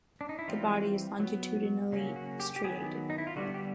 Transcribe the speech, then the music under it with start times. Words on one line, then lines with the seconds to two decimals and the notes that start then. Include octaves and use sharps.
The body is longitudinally striated.
0.21 D4
0.29 D#4
0.39 E4
0.48 E3 G3 C4 F4
1.20 F#3 B3
1.92 C#3 F#3 A#3 C#4
2.16 F#4
2.40 G4
2.56 G4
2.64 D#3 F#3 B3 G#4
3.10 D#4
3.18 E4
3.27 F4
3.36 D3 G3 B3 F#4
3.54 G4